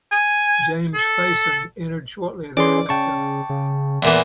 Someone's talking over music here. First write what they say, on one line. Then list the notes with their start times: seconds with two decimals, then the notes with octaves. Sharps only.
James Faison entered shortly thereafter.
0.12 G#5
0.95 A4
2.57 E3 C#4 G#4 D5 C6
2.89 C#3 G5 A5 C#6
3.49 C#3
4.03 E2 A#2 E3